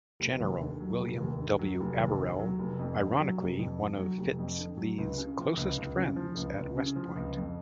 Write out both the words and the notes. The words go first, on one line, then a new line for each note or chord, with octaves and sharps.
General William W. Averell, ironically one of Fitz Lee's closest friends at West Point.
F1
D#2
D3
F#3
F1
D#2
D3
F#3
F1
D#2
D3
F#3
F1
F2
D3
F#3
F1
F2
D3
F#3
F1
F2
D3
F#3
C#2
C#3
F3
C#2
C#2
C#3
F3
C#2
C#2
C#3
F3
C#2
F2